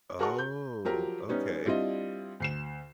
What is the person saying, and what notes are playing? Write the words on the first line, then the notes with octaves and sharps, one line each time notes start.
Oh, okay.
F#4 G#4 A#4 F#5 A5 C#6
G6
F3 F#3 G4 A#4
G3 B3 C#4 D#4
G3 C4 D4 E4 F4 D#5
D2 C7 E7